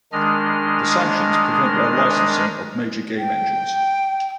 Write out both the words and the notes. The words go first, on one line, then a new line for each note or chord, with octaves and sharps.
The sanctions prevent their licensing of major game engines.
D#3 G#3 D4 D#5 F6
G5